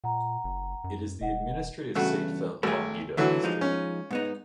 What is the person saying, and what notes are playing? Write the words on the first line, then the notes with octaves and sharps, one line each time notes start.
It is the administrative seat for Longido District.
A#2 F#5 A#5
F#1
F#2
E1 D#5 F#5
E2 G2 C#3 A3 F#4
G#1 A3 G#4
D2 D3 E3 F#3 A3
F3 G#3 D#4
C#4
G#2 B3 D#4